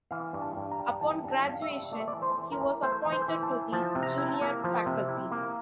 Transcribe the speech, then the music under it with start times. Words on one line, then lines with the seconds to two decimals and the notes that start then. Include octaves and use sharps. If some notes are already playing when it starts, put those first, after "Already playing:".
Upon graduation, he was appointed to the Juilliard faculty.
0.11 E3 F5
0.33 G2
0.42 A5
0.56 G2
0.71 A#5
0.79 G3
1.01 E3 A5
1.24 G2
1.31 A5
1.46 G2
1.54 F5
1.62 E5
1.70 G3
1.92 A3 D5
2.00 E5
2.08 D5
2.14 E3
2.22 C5
2.38 E3
2.52 A#4
2.60 E4
2.82 A3 C5
3.05 E3
3.12 C5
3.28 E3
3.43 A5
3.51 E4
3.72 F3 A5
3.95 C3
4.03 A#5
4.18 E4
4.29 A#5
4.34 A5
4.41 A#3
4.64 F3
4.86 C3
5.08 E4
5.31 A#3